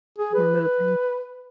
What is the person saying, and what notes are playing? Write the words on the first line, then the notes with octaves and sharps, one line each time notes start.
You're moving.
G#4
B4